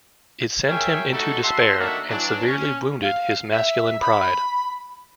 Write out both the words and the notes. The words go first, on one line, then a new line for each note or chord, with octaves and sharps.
It sent him into despair and severely wounded his masculine pride.
G#4 A#4 C#5 E5 G5 G#5
G3 A3 D#4 F#4 A4
F#4 E5 A5 C6
D#3 A#3 D4 F#4 A4 E5
E3 F#3 D4
C#4
F5
E5
B5